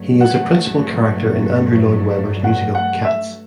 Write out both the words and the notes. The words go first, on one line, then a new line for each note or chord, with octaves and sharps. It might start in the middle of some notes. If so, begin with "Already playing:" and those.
He is a principal character in Andrew Lloyd Webber's musical "Cats".
Already playing: G2 F#3 A3
F#5
F#5
F#5
E5